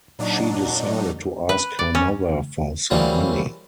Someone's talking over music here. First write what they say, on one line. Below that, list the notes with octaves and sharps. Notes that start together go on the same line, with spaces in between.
She decided to ask her mother for some money.
A#2 F#3 D4 D#4
B4
D5
C#4
C#3 E3 F#3 G3 A#3 C4